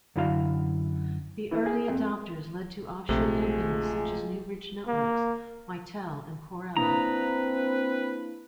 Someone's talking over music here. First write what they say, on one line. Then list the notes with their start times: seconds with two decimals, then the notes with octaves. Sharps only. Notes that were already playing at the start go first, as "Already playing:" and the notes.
The early adopters led to offshoot companies such as Newbridge Networks, Mitel and Corel.
0.16 F#2 D3 E4 F#4 F5
1.51 E3
1.66 G#4
1.88 F2
3.09 A#1 C3 G#3 A3 F4 G#4
4.88 A#3
6.77 A#3 C4 D4 E4 B4 A#5